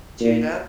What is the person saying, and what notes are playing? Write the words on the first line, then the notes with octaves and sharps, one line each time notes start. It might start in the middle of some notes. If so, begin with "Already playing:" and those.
Chewed up.
A#2